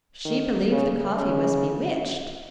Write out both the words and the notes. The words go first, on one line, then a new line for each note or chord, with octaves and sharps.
She believed the coffee was bewitched.
D#3
C#3
C#3